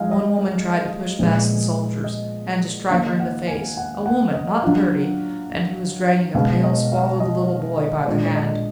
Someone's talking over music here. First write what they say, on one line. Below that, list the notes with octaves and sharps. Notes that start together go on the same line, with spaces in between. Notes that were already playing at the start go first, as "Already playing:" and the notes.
One woman tried to push past the soldiers, and to strike her in the face--a woman! not thirty!--and who was dragging a pale, squalid little boy by the hand.
Already playing: F3 G#3 D#4 F5 G#5
D#5
A#2 F3 G#3 B3
D#5
D#3 A#3 D#4 F5
F#5
G#5
F#5
F#5
D#5
F#3 D4 F4 F5
B2 G#3 B3 F5
D#5
F5
D#5
D#5
A#2 G#3 D4 F4 D5
D5
D#5